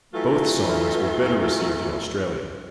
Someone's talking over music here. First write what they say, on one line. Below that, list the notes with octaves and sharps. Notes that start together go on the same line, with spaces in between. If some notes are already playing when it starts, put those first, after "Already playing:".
Both songs were better received in Australia.
E3 F#3 A3 F4 A4